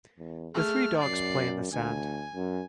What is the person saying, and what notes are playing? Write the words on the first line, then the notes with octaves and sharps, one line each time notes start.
The three dogs play in the sand.
E2
A3 G#4 F6
F#2 D5 C7
D2 G#5
F#2